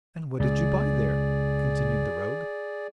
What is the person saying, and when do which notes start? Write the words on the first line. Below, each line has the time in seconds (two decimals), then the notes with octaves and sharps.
'And what did you buy there?' continued the rogue.
0.40 C#2 G#4 D5